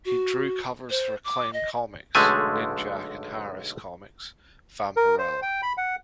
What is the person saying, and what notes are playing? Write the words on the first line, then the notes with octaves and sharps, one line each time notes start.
He drew covers for Acclaim Comics' "Ninjak" and Harris Comics' "Vampirella".
F#4
C5
D6
D#5
B1 D3 G#3 A3 G#5
A#4
C5
G5
B5
F#5